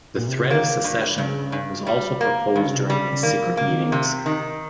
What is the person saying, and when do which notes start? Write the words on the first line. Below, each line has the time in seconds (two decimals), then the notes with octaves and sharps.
The threat of secession was also proposed during these secret meetings.
0.18 A#2
0.28 C3
0.39 C#3
0.50 D#3 A#3
0.84 G2
1.18 G2 C#3
1.52 G2
1.87 G3
2.21 A#3
2.55 G2 D#3
2.66 C#3
2.76 C3
2.87 C#3 G3
3.12 C#3
3.23 D#3 A#3
3.46 F3
3.57 C#3 A#3
3.69 D#3
3.92 C3
4.26 D#3